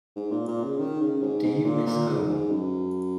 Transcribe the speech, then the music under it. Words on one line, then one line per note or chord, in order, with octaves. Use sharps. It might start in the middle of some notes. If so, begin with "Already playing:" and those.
Do you miss home?
G#2
A#2
A#2
C#3
D#3
C#3
G#2
G#2
A#2
A#2
G#2
G#2
F#2